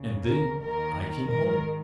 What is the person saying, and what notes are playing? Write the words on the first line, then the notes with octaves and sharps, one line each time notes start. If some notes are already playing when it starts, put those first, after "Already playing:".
And then I came home.
Already playing: D#2 C#3
A#4
D#2 D#3 A#4
G#2 D#3 A#4